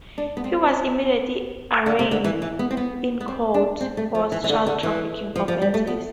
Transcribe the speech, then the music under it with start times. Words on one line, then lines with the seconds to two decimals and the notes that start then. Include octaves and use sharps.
He was immediately arraigned in court force child trafficking offences.
0.18 D4
0.37 B3
0.44 C4
1.86 D3
1.99 C3
2.11 D3
2.24 E3
2.42 E3
2.59 B3
2.71 C4
2.77 B3
3.20 B3
3.28 C4
3.54 D4
3.81 C4
3.97 A3
4.15 F3
4.32 E3
4.44 E3
4.49 D3
4.66 D3
4.83 E3
5.36 F3
5.48 F3
5.62 G3
5.74 A3
5.87 B3